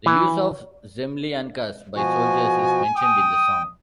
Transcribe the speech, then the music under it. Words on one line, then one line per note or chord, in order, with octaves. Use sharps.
The use of zemlyankas by soldiers is mentioned in the song.
E3
B2 F3 F#4 G#5
G5 D#6